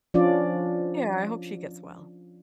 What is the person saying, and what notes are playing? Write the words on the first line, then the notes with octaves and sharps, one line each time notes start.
Yeah, I hope she gets well.
F3 C#4 D4 F4 D5